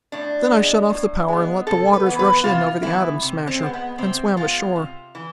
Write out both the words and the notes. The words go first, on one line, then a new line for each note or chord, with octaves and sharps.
Then I shut off the power and let the waters rush in over the Atom Smasher, and swam ashore.
A2 D4
G#3 B3
A2
G#3 B3
C3 A4
B4
E3 B3
B4
C3 F4
E3 B3 E4
C3
C4
G#3 B3
B3
C3 C4
G#3 B3 F4
C3
E3